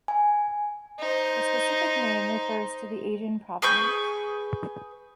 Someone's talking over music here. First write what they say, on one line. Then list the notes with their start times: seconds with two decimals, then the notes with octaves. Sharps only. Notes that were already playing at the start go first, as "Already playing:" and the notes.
The specific name refers to the Asian provenance.
0.08 G#5
0.99 D#4 C5
3.62 G#4 B4 C#6 G6